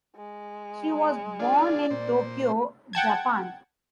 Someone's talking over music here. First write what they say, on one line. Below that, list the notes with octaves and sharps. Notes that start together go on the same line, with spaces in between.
She was born in Tokyo, Japan.
G#3
D4 F4 G#4 D5
A#2 C5
F#5 G5 A5 G#6